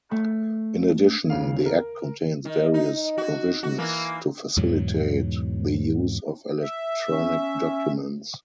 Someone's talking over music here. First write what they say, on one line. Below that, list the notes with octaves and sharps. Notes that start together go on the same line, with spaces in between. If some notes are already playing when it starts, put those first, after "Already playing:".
In addition, the Act contains various provisions to facilitate the use of electronic documents.
A3
D#2 C#3 F5
A#4
D#3
D#4
F#4
F#4
E3 A#3
E2 G#2 B2 F#3
E5
C#4